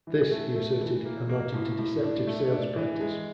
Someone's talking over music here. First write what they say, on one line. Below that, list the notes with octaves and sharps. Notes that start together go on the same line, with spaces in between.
This, he asserted, amounted to deceptive sales practice.
E3
A3
A3
E3
A#3
A#3
A2
A2
D4
A3
D4
E3
G#3